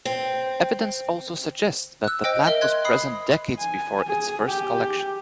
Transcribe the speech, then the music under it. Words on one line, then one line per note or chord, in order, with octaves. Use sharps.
Evidence also suggests that the plant was present decades before its first collection.
C4
E6 F#6
C5 D#5 G5
A#4 D#5 E5
D#5 C6 F#6 G#6
B5 D#6 C7
G#5
G#4
G4